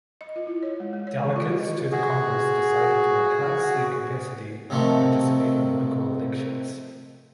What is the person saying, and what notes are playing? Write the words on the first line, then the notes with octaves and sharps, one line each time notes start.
Delegates to the congress decided to enhance their capacity to participate in local elections.
D#5
F4
E4
C#5
G#3
G#3
C#5
D#3
F4
D#5
F#4 G#4
C3 D#3 F3 A3